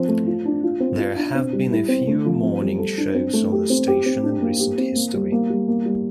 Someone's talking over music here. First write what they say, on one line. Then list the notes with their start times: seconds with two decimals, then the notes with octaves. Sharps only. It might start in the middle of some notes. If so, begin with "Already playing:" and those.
There have been a few morning shows on the station in recent history.
Already playing: F3 C4
0.08 A3
0.27 F4
0.45 D4
0.64 F4
0.80 C4
0.99 F4
1.16 D4
1.35 C4
1.53 G3
1.70 E4
1.88 C4
2.07 A3
2.26 F3
2.43 C4
2.62 G3
2.79 A4
2.98 D4
3.15 C4
3.33 A3
3.52 G4
3.70 C4
3.88 G4
4.06 C4
4.23 D4
4.42 A#3
4.59 G4
4.78 C4
4.96 A#3
5.13 G3
5.32 A#3
5.50 G3
5.68 A#3
5.85 G3